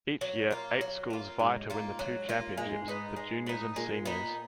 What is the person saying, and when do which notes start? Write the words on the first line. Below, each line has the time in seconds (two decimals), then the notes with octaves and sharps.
Each year, eight schools vie to win the two championships: the Juniors and Seniors.
0.21 F#3
0.51 A#3 F4
0.81 F#3
1.10 A#3 F4
1.39 G#2 F#3
1.70 A#3 F4
1.99 F#3
2.29 A#3 F4
2.57 A#2 G#3
2.66 G#2
2.81 G#2
2.88 B3 D#4
3.16 G#3
3.46 B3 D#4
3.76 A#2 G#3
4.05 B3 D#4